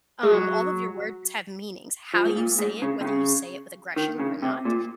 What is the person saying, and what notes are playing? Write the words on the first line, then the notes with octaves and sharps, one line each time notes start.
um, all of your words have meanings, how you say it, whether you say it with aggression or not,
G#3
F#3
F3
G#2
A#2
G#2
C#3
C3
C#3
D#3
C#3
C3
A#2